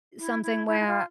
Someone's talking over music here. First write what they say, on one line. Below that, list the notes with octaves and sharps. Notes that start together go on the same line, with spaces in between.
something where
E4
E4
E4
E4
F4